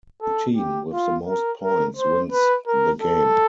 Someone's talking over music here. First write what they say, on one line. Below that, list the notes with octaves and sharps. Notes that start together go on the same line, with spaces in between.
The team with the most points wins the game.
A4
G4
F4
A#4
A#4
C5
B4
A#4
A4